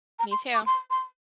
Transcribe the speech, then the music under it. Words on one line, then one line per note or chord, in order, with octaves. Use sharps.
Me too.
A#5
C6
D6
C6
C6